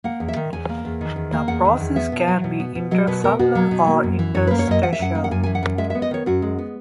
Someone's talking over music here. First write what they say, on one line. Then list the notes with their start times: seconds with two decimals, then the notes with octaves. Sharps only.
This process can be intracellular or interstitial.
0.04 A#3 F#5
0.20 E2
0.28 E5
0.36 D#3
0.53 E2 G#5
0.69 A#3
0.85 E2
1.01 D#3
1.16 E2
1.32 A#3
1.48 E2 F#5
1.65 D#3
1.80 E2
1.96 B3 E5
2.12 B2
2.28 F#3
2.44 B2
2.60 B3
2.75 B2
2.91 F#3 D#5
3.07 B2 B4
3.24 B3 A#4
3.39 B2 F#4
3.55 F#3
3.71 B2
3.87 A#3
4.03 F#2
4.19 E3
4.35 F#2 C#5
4.47 A#3 B4
4.59 C#5
4.67 F#2 D#5
4.83 E3 F#5
4.93 E5
4.99 F#2 F#5
5.15 A#3
5.24 F#5
5.31 F#2 G#5
5.43 E3 G#5
5.55 F#5
5.63 F#2
5.78 G#3 E5
5.90 B3 E5
6.02 D#5
6.11 D#3 C#5
6.26 F#2 F#4
6.42 G#3
6.58 B3